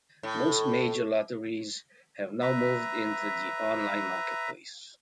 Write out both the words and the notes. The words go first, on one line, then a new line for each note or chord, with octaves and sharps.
Most major Lotteries have now moved into the online marketplace.
A2
B4 E5 A#5